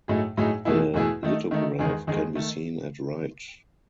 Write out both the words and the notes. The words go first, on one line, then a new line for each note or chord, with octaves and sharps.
The lithograph can be seen at right.
A2 F#3 A3 D#4 G#4
A2 F#3 A3 D#4 G#4
E2 B2 A3 E4 G#4
E2 B2 A3 E4 G#4
D#3 A3 D#4
D#3 A3 D#4
E2 D#3 G#3 D#4 G#4
E2 D#3 G#3 D#4 G#4
D#3 A3